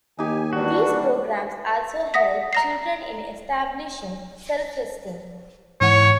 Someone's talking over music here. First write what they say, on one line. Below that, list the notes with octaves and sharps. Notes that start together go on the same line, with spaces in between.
These programs also help children in establishing self-esteem.
D#2 D#4 G4 G#5
E3 G3 D4 F#4
E5 F#5 D#6 A#6 B6
A#5 A#6 C7
G#2 E3 C#5 F#5